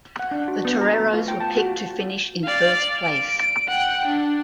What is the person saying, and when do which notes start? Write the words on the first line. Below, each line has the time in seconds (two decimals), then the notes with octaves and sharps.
The Toreros were picked to finish in first place.
0.19 F#5
0.31 D4
0.48 F#4
0.65 B3
0.81 A#5
1.00 A3
1.14 F4
1.28 G5
1.41 A5
1.57 F#4
2.44 D5 F5
3.04 D7
3.67 F#5 G5
4.05 D4